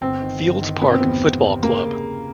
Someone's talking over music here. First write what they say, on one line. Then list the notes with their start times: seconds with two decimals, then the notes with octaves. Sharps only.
Fields Park Football Club.
0.01 G1 C4
0.21 D#3
0.41 G1
0.62 D#3
0.81 C3 B3
0.91 C4
1.01 E2 B3
1.22 C3
1.42 C3
1.63 C#3 A#3
1.83 C#3